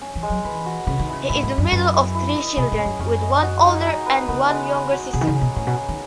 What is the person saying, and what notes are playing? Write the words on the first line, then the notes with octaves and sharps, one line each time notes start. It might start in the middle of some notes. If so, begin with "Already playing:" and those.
He is the middle of three children with one older and one younger sister.
C#4
E3
G#3
F#3
E3 B4
F#4
C#3 B4
D#3
C#3 E4
A2 E4
G#2
E5
F#2
F#2 B4
E4
E4
D#5
B2 G#4
A2
C#4
F#2
F#2 C#4
D#5
F#4
D#4
D#4
B4
C#3 B3
G#3
G#3
F#4
B2 G#4
D#3
C#3
C#4
B2
A2 C#4
B2
C#5
D#3